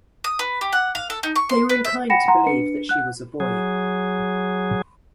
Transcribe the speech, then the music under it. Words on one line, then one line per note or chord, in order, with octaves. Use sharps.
They were inclined to believe that she was a boy.
D#6
B4
G4
F#5
F5
A4
D#4
C#6
C6
B4
E5
F#5 G5 B5 A#6 C#7 E7
F#5 A#5 C6
D4 B4 C#7
F#5 F#6
F#3 G#4